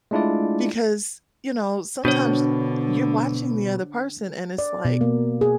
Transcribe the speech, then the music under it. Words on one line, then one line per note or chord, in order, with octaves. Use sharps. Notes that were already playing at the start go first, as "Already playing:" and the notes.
because, you know, sometimes you're watching the other person and it's, like
G#3 A3 D4 E4 F4 D5
B2 D3 D4 C5 C#5
D5
B2
A#3
G#4